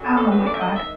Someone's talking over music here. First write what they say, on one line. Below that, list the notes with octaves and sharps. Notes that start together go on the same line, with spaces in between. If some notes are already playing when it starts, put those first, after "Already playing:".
Oh my god.
Already playing: F#2 D3 F#3
A4
B4
D5
E5
D#5
D#3 G#3 E5